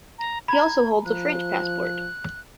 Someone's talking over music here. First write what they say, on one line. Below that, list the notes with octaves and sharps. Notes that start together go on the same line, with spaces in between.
He also holds a French passport.
A#5
A#5 B5 G#6
F3 F#6